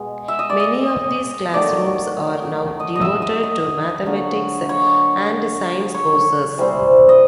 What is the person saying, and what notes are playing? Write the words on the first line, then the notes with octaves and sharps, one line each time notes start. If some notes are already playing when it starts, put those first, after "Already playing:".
Many of these classrooms are now devoted to mathematics and science courses.
Already playing: B2 G#3
E5
D#5
D5
D#5
D#3 F#3 A3 D5
D#5
D#5
E5
D#5
D#5
D3 F#3 A#3
C#5
C#5
C3 E3 G3 C4
D#5